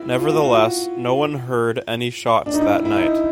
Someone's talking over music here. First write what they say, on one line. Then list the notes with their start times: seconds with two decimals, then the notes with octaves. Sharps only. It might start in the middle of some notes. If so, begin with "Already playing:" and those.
Nevertheless, no one heard any shots that night.
Already playing: E4
0.19 F4
0.30 F#4
0.41 F4
0.53 F#4
2.46 D4
2.54 D#4
2.61 E4
2.85 E4
2.96 D#4